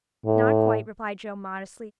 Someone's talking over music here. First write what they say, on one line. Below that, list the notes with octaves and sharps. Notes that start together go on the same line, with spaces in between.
"Not quite," replied Jo modestly.
A2